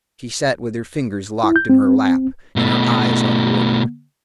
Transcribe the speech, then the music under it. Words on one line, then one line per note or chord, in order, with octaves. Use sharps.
She sat with her fingers locked in her lap, and her eyes on Wardrop.
E4
G6
C4
B2 A3